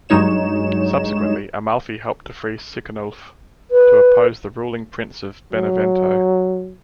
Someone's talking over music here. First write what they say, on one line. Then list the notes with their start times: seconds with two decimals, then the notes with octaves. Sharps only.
Subsequently, Amalfi helped to free Siconulf to oppose the ruling Prince of Benevento.
0.09 G2 F#3 G#3 D#4 C#5 E7
3.71 B4
5.53 F#3